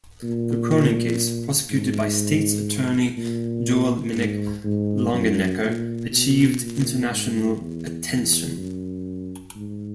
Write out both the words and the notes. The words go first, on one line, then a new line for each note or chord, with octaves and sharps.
The Cronin case, prosecuted by State's Attorney Joel Minnick Longenecker achieved international attention.
A#2
G#2
A#2
G#2
G#2
F#2
A#2
B2
A#2
G#2
E2
E2
F#2
G#2